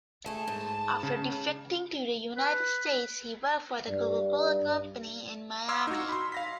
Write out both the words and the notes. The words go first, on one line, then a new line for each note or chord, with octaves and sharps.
After defecting to the United States, he worked for The Coca-Cola Company in Miami.
A3 G#4 A5
G#2
C#3
B4
G2 D4
F5 C6 D6 E6 F6 G#6
D#4 F#4
B5 C6
F5 A#6 B6